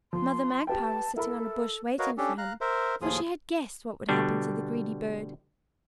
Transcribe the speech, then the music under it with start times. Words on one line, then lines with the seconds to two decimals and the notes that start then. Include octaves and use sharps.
Mother Magpie was sitting on a bush waiting for him, for she had guessed what would happen to the greedy bird.
0.13 F3 C6
0.67 G4 B4 G5 A5
1.16 E4 A4 A#4 B5
1.99 F#4 A#4 B4 C#5 D#5 F5
2.18 C#4 D4 G4 A4
2.38 F5 A#5 F#6
2.61 A#4 C5 E5
3.01 D#2 A2 F3 F4 G#4 D#6
4.09 B2 D3 G3 D4